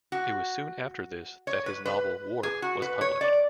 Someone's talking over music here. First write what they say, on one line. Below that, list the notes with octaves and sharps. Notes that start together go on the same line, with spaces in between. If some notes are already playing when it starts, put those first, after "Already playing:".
It was soon after this that his novel, "Warp", was published.
F#4
C#5
B4
B4
G#4
F#4
B4
C#5
D5